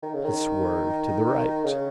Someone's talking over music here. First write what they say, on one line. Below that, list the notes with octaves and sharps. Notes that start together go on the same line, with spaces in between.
He swerved to the right.
D#3
C#3
D#3
C#3